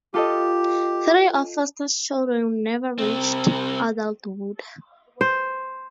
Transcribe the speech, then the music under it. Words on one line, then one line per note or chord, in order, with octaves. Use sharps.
Three of Foster's children never reached adulthood.
F4 G4 A4 D#5
C2 C4
C5